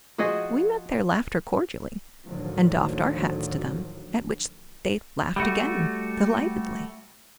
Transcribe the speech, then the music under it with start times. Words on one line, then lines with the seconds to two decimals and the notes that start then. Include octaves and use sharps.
We met their laughter cordially, and doffed our hats to them, at which they laughed again, delightedly.
0.18 F3 F#4 G#4 D#5
2.25 D2 A2 D3 D#3 F3 F#3
5.36 G3 A3 F#4